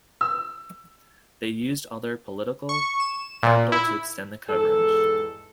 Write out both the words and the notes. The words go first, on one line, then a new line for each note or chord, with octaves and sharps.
They used all their political capital to extend the coverage.
E6
C#6
E7
A#2
E4
E2 G#2 A4